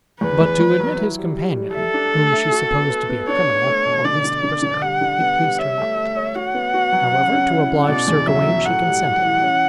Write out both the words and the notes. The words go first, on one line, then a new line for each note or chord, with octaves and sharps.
But to admit his companion, whom she supposed to be a criminal, or at least a prisoner, it pleased her not; however, to oblige Sir Gawain, she consented.
E2 B4
E2
E2
F#3
E4
G3
G3
G3
A4 E5
D4
A3
E5
F#4
B3
B4
B3
D4 C#5
A3
A3
B2
D3 D5
D3
D3
D3
G3 F#5
D3
B3
G3
C#5 E5
A3
A3
C#5
F#4 F#5
B3
F#4
F#3
C#3
C#4
E4
C#3
B2 D5
E2
F#3 E5
F#3
A2 F#5
G3
G3
E3
C#4